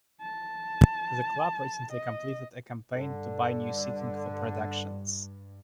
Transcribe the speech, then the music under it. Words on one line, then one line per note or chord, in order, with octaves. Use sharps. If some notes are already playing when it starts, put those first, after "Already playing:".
The club recently completed a campaign to buy new seating for productions.
A5
D#5
G2 D3